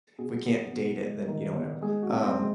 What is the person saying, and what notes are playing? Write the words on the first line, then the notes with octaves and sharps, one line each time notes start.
if we can't date it, then, you know, whatever. Um
B2 G#4
B3
B2
G#3
D#3
B3
G#3 G#4
F#4
C3
C4
G#3